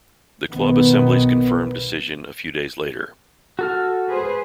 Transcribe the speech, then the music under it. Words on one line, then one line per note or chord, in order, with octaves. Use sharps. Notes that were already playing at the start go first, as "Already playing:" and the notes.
The club assemblies confirmed decision a few days later.
B1 D#3 B3
F#4 A4 F6
G#4 B4 C5